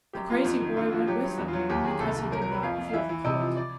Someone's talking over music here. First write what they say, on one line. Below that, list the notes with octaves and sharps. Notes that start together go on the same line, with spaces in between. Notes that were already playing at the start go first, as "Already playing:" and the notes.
The crazy boy went with them, because he did not feel the cold.
F#2 G4
F#2 F4
F2 F#4
D#3
D3 F4
F3 F#4
F#3 G4
G2
E2 F#4
F4
F#3
F#4
D#2 G4
D#2 G#4
C2 A4
C2
F#3 A#4
A#4
F#3 B4
F2 F5
F2
F5
E3 E5
E3
C3 D#5
F3
D5